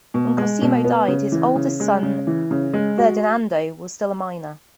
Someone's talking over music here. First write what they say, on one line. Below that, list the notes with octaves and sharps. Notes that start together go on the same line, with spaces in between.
When Cosimo died, his oldest son, Ferdinando, was still a minor.
B2
G#3
B2
B3
C#3
E3
C#3
G#3
C#3
E3
C#3
G#3
F#4